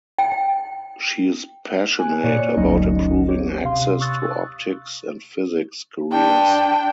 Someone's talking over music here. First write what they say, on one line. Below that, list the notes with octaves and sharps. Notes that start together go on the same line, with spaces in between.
She is passionate about improving access to optics and physics careers.
G5
G#5 F#6
A#2 A#3 C#5 D5 C#7
G1 D2 F#3 C#4 D#4 D#5
G4 C#5
C3 F5 C6
C#6 D#6 E6 F#6 A6
D4 G5